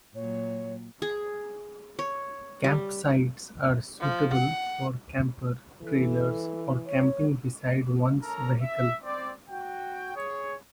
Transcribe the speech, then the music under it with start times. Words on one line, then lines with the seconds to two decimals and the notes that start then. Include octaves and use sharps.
Campsites are suitable for camper trailers or camping beside ones vehicle.
0.15 A#2 F#3 C#5
1.02 G#4
1.99 C#5
2.64 G3
4.00 F3
4.33 F#5
5.82 E3 A4
6.86 C#5
8.22 C#4 A4 A#4 A#5
8.62 E5
9.04 C4 D5
9.48 F#4 G5
10.16 G#4 C#5